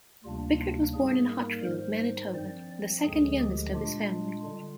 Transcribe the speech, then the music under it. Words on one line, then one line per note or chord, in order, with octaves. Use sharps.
Bickert was born in Hochfeld, Manitoba, the second youngest of his family.
D2 C3 G3 A#3 D4 F4
G#2 G3 A#3 G#4
A#4
G#2 D#3 G3 C5
G2 F3 C4 D5
D2 D3 F3 G#3 G#4
G4
A#2 G#3 D4 F4
D3 G3 F4